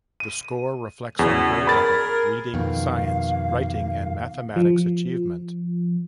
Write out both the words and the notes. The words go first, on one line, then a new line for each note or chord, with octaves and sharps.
The score reflects on grade level: reading, science, writing and mathematics achievement.
D#7
E2 C#3 F#3
G#4 A#4 B5 A6
F2 B2 D#3 F5
F3